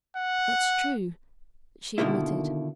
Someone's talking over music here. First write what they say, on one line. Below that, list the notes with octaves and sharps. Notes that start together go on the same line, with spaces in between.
"That's true," she admitted.
F#5
B2 D3 D#3 A#3 E4